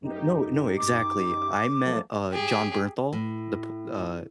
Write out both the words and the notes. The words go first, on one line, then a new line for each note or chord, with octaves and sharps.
N no, no exactly, I met, uh, Jon Bernthal, the p Uh,
F#2 D#4 G4
D6
F3 F#3 A3
G4 G#4
A2